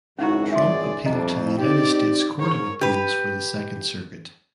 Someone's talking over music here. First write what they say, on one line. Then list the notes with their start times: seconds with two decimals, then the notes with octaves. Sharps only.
Trump appealed to the United States Court of Appeals for the Second Circuit.
0.19 G#1 C#2 F#2 C#4 D#4 E4 F#4 A#5
0.52 G#4 D5 E5 G#5 C6
1.06 F2 G3 D4 D#5 A#5
1.59 C4 D#4 G4 D5
2.39 G#2 A#4 C#5
2.81 G4 B4